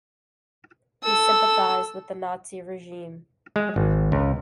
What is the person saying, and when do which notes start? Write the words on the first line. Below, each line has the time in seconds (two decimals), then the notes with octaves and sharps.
He sympathized with the Nazi regime.
1.04 A4 E6
3.56 G#3
3.76 G#1
4.12 C#2